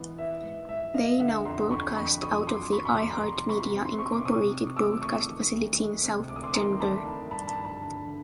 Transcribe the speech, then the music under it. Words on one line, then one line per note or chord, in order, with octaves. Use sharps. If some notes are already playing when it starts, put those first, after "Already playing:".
They now broadcast out of the iHeartMedia, Incorporated broadcast facility in south Denver.
Already playing: G#2 E3 B3
B3 E5
G#2
G#2 E5
B3 D#5 F5
D3 E5 F#5
F2 A#5 C6
F2 B5 C#6
F2 B5 C#6
F2 C#6 D#6
F#3 C6 D6
F#3 B5 C#6
B5 C#6
F2 C6 D6
A#5 C6
C3 A#5 C6
C3 B5 C#6
C4
C6
C3 C#6
D6
C3 C#6 D#6
C3
A3 D6 E6
A3 C#6 D#6
D#3
D2
G#3
C3
D2 D6
D#6
C6 D6
D#3 A#5 C6
D2 A5 B5
D#3
G2 A5 B5
A5 B5
G2
A5 B5
D3
D3